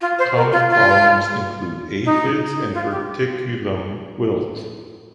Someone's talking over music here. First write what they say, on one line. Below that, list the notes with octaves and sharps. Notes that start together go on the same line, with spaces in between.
Common problems include aphids and verticillium wilt.
F4
C5
A#4
F4
F4
D#4
F4
G4